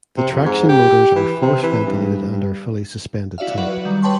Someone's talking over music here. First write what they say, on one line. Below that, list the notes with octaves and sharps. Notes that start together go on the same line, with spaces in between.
The traction motors are force ventilated and are fully suspended type.
C3
F2
G#2
G4
E3
C3
E3
G2
G2
E4 F#4 D5 E5 F5
F#3 B4 D5 F#5
F#4
D#3 G3
B4 C#5 G5 A5 C6 C#6